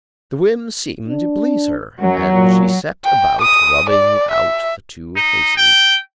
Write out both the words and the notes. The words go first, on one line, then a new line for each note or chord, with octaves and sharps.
The whim seemed to please her and she set about rubbing out the two faces.
D4
F#2 F#3
A#2
G5
D#6
D5
E5
D#4
G5